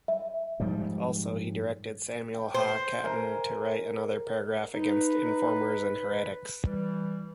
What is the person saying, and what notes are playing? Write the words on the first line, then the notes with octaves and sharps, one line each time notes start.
Also, he directed Samuel ha-Katan to write another paragraph against informers and heretics.
E5
G#2 F3 G3
G5
C5
A#4 G#5 A#5
D#4 B4
E3 G3